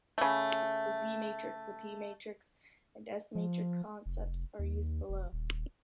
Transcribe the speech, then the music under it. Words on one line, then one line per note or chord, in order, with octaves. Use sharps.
The Z-matrix, P-matrix and S-matrix concepts are used below.
C#3 A3
F3
F1
D#2
F1
D#1